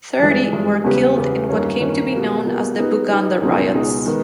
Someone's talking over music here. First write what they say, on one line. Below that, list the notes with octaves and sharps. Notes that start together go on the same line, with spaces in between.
Thirty were killed in what came to be known as the Buganda riots.
G2 E3 G#3
G2 E3 G#3
E2 C#3 G3 B3 G4
E2 C#3 G3 B3 G4
G2 D#3 A#3 C#4
G2 D#3 A#3 C#4
B2 G3 A#3
B2 G3 A#3
G3 B3 D#4
G3 B3 D#4
C#2 B2 G#3 D#4
C#2 B2 G#3 D#4
D#3 G#3 B3